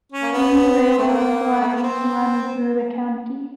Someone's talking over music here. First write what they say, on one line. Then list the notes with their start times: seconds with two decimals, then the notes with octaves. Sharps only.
Three railroad lines run through the county.
0.12 C#4
0.22 A#3
0.32 B3
0.98 A3
1.07 A#3
1.60 A3
1.68 A#3
1.76 B3
1.83 C4